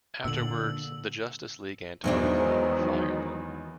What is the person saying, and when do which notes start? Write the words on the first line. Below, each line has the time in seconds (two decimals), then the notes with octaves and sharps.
Afterwards, the Justice League Antarctica were fired.
0.25 A#2 D3 E6 F#7
2.04 E2 D#3 E3 F#3 G#3 C4 D4